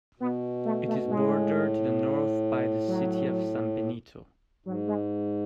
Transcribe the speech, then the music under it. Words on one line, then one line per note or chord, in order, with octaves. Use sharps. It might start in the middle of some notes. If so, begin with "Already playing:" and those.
It is bordered to the north by the city of San Benito.
B2 B3
A3
A3
G#2
A2 G#3
F#3
G#2 F#3
G#3